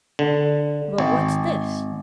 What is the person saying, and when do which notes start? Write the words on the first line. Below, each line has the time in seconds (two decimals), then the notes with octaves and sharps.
"But what's this?"
0.19 D3
0.98 G#1